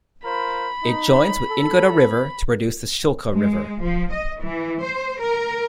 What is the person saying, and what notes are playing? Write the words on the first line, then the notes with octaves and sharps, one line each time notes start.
It joins with Ingoda River to produce the Shilka River.
F4 A#4 C5 B5
D#4
A4
G#3
F3
D#5
E3
C5
A#4